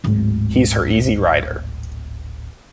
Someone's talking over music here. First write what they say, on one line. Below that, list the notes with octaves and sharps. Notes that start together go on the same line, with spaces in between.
He's her easy rider.
D1 G#1